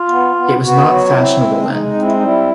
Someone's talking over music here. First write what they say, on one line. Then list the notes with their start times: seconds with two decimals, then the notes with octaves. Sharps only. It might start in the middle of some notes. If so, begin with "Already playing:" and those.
It was not fashionable then.
Already playing: F4
0.09 B3
0.35 B3
0.61 B3 F#4
0.88 F#3 F#4
1.08 F4
1.14 C4 E4
1.40 G#3
1.61 D4
1.67 G#3 D#4
1.86 D#4
1.94 C4
2.02 E4
2.14 D#4
2.20 G3 E4